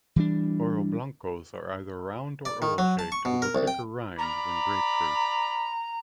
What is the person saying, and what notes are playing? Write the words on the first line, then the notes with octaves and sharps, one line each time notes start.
Oroblancos are either round- or oval-shaped with a thicker rind than grapefruit.
E3 G3 D4
D5
D#3
F#3
A5
C#6
B2
A#4
C2
G5
D5 A#5 B5